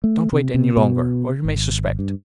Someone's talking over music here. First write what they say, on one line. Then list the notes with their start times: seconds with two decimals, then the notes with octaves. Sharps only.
Don't wait any longer or he may suspect.
0.04 A3
0.33 C3
0.54 C3
0.77 B2
1.45 G#1
1.99 G2